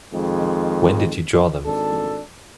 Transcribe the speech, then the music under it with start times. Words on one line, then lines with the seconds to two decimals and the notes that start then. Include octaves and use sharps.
When did you draw them?
0.13 F2 D#3 G#3
1.65 G#1 D4 A4